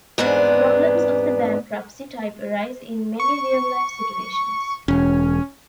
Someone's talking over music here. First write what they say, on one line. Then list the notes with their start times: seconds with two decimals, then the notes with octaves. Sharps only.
Problems of the bankruptcy type arise in many real life situations.
0.18 E2 G#2 B3 C4 D4
3.20 C#6
4.88 E1 C#4